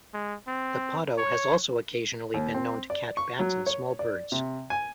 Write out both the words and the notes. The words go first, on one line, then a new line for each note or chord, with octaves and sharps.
The potto has also occasionally been known to catch bats and small birds.
G#3
C4
C#5
D#2
C4
D5
C#6
F#3
C#5
D5
C3
G#5